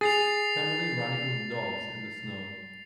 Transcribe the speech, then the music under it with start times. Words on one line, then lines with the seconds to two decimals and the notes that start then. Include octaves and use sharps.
Family running with dogs in the snow.
0.01 G#4 A6 C7 F7